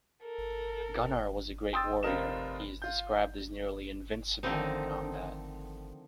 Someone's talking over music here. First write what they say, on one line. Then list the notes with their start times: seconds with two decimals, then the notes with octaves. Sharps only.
Gunnar was a great warrior - he is described as nearly invincible in combat.
0.23 A4 A#4
1.73 G5 C6 D#6 E6 A6
2.03 F1 C4 F4 A#4 D#5 E7
2.82 F4 G6
4.43 D3 D#3 F3 A3 C4 D#4